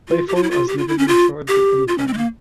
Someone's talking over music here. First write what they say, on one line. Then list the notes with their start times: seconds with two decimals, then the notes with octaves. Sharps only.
Flaifel has never been charged with any crime.
0.08 F4
0.28 G4
0.36 F4
0.43 E4
0.51 F4
0.68 G4
0.78 F4
0.88 E4
0.98 C#4
1.08 F4
1.48 G4
1.88 F4
1.98 C#4
2.07 C4
2.13 G#3
2.18 A#3